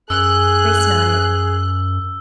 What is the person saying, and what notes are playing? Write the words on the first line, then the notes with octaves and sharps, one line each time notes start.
Grace nodded.
F#2 G#4 E6 F#6